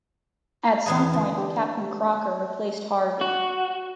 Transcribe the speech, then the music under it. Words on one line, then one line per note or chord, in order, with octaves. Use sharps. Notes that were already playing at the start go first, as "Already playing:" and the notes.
At some point Captain Crocker replaced Harvey.
E2 B3 G#4
D3
D4 G4
F#4